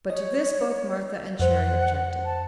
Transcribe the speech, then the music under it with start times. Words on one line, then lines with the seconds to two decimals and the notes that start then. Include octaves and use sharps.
But to this both Martha and Cherry objected.
0.10 C#5 D#5
1.40 F2 C5 F#5
2.25 A5